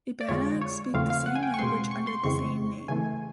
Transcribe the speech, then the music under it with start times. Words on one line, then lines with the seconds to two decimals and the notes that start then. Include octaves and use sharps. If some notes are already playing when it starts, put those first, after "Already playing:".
Ibanags speak the same language under the same name.
0.21 D5
0.29 F2 D3 F3 G#3 C#5
0.61 C#5
0.94 E2 C#3 F3 A3 C4 F5
1.10 F5
1.26 F#5
1.35 G#5
1.43 G5
1.54 C#6
1.59 B2 G#3 C4 C6
1.91 C#6
2.07 C6
2.24 F2 C#3 E3 G#3 C4 C#6
2.88 C#3 E3 A3 G#5